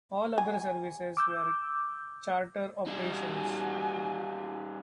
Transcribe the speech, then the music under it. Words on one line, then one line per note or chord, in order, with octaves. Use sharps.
All other services were charter operations.
G#5
D6 E6 G6
G3 D#4 F#4 G#5